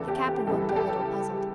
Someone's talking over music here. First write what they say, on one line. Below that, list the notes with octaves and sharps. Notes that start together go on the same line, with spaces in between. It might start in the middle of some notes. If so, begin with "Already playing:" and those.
The Captain looked a little puzzled.
Already playing: E2 C#3 E3 A4
G4
G4
C#2 C#3 E3 G3 A4
G4
A4